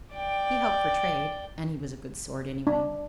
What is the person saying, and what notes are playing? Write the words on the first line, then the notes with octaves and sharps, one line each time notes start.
He hoped for trade, and he was a good sort anyway.
D5 G5
D4